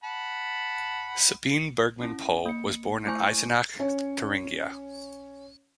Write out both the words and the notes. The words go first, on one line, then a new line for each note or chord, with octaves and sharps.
Sabine Bergmann-Pohl was born in Eisenach, Thuringia.
F#5 A5 B5
C#4 E4
A#3 C#7
A3 E4 C5 G#5 C#6 G6
C#4 C#5